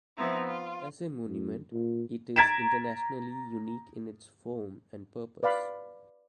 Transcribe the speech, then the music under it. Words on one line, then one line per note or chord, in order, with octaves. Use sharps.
As a monument, it is internationally unique in its form and purpose.
F3 B3 C4 D#4 E4
F4
F#2
A#2
A#5 G#6 A6 B6 D7 E7
B4 D5 F5 B5